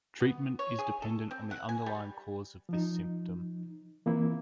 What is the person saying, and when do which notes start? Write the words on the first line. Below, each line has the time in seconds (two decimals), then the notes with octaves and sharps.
Treatment is dependent on the underlying cause of this symptom.
0.20 B3
0.59 C#5
0.79 G#4
1.02 A4
1.31 C4
1.51 F#5
1.69 G#5
1.86 G3
2.69 F3 D#4
4.06 E3 A#3 C4 E4